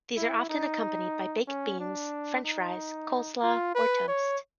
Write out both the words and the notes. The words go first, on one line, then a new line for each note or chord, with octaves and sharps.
These are often accompanied by baked beans, French fries, coleslaw, or toast.
E4
D#4
C#4
D4
D#4
F4
B4
C#5